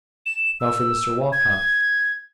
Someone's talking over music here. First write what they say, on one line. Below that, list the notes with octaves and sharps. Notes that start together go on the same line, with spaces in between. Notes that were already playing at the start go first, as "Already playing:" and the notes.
Now for Mr Walcot!
E7
E6
G#6